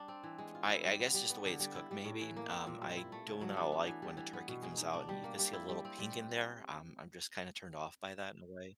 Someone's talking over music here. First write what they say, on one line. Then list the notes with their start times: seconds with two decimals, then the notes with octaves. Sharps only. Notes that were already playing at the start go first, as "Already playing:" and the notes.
I I guess just the way it's cooked maybe. Um, I do not like when the turkey comes out and you could see a little pink in there. Um, I'm just kinda turned off by that in a way.
Already playing: G3 D4
0.08 C4
0.23 E3
0.38 G#3
0.55 F4
0.70 E4
0.85 G3
1.00 B3
1.14 G3
1.30 B3
1.46 D3
1.60 G3
1.75 E4
1.91 G3
2.05 A2
2.21 E3
2.36 A#3
2.52 C4
2.67 A#2
2.82 G3
2.97 E4
3.12 A3
3.27 C#3
3.41 F#3
3.57 D4
3.72 B3
3.87 E3
4.02 G3
4.17 E3
4.33 B3
4.48 B2
4.62 G#3
4.77 D#4
4.94 D4
5.09 G3
5.24 A#3
5.38 G3
5.53 E4
5.69 G3
5.85 C4
5.99 G3